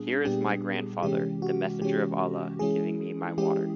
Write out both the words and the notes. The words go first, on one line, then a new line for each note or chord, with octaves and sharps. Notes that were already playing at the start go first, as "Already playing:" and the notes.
Here is my grandfather, the Messenger of Allah, giving me my water.
Already playing: A#2 G3 B3 D4 G#4
A#2 G3 B3 D4 G4
C3 E3 G#3 C#4 G4
F#4
C3 E3 G#3 C#4 G4
E3 G#3 C#4 E4 G#4
E3 G#3 C#4 E4 G4